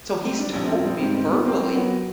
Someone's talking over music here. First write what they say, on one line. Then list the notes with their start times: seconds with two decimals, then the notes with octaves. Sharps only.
so he's told me verbally,
0.23 G3 C4
0.38 G3 D4
0.53 A#1 C#4
0.64 C4
0.69 A#1
0.85 G3 C4
1.00 G#2 C4
1.15 D#3 C4
1.30 G3 B3
1.45 A#3 C4
1.60 F#3 C4
1.75 F#3 B3